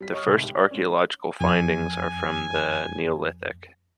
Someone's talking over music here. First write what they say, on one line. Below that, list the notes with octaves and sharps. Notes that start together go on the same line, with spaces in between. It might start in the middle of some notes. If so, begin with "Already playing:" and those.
The first archaeological findings are from the Neolithic.
G3 B6
C#5 D#5 C#6 D#6 F6
C2 G#2
G4
D5
G#2 C#4
F2 G#5